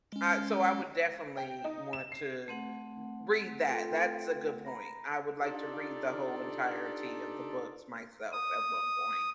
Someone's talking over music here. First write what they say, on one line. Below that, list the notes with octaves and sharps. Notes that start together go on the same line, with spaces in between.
I so I would definitely want to r read that, that's a good point, I would like to read the whole entirety of the books myself at one point.
G#3 C#4
G5
D#4
E7
C7
A3 C4 F#5
F4 A4 G5
A#5 B5 A#6
D4 D#4 F4 G4 A4 D5
D#6